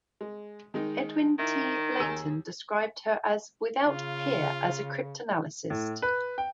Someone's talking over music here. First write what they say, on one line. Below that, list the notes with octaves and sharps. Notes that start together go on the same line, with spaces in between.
Edwin T. Layton described her as "without peer as a cryptanalyst".
G#3
D#3 G#3 D#4
D#3 E4
D#2 G#4 E6
C#3 F4
A2
B4
G5